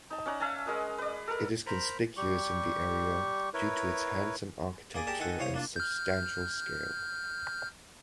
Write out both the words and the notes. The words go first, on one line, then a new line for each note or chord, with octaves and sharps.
It is conspicuous in the area due to its handsome architecture and substantial scale.
D#4 A5
C#4 D5 F#5 A#5
E5 F5 G#5 A5
G#3 A#4 D#5 F#5
B4 D5
A4 A#4
A#4 C5 A#5 B5
G3 G4 C#6
E4 A#4 B4 C#5
A#3 G#4 D5 G#5
G4 G#4 A#4 D5 A5
D#3 D#4 A4 F#5 G#5
C2 C5 C#5 F5 D#6
A#3 D4 F4
F6 G6